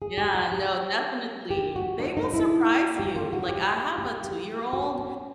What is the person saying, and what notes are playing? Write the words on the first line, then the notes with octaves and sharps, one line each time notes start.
Yeah, no, definitely. They will surprise you. Like, I have a two-year-old,
G#4
G4
F#4
G4
G4
F#4
D4
D#4
E4
G4
F4
F#4
G4
G4
G4
F#4
C#4